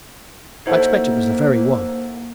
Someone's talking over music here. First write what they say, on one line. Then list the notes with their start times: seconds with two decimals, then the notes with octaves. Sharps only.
I expect it was the very one!
0.66 A#3 D#4 E4 F#4 A4 C5 C#5